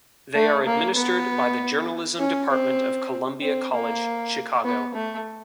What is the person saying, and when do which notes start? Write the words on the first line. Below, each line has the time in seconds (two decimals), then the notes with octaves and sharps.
They are administered by the Journalism Department of Columbia College Chicago.
0.35 A3
0.66 A#3
0.96 B3
2.19 C#4
2.50 C4
3.42 C4
3.72 A#3
4.65 B3
4.95 A3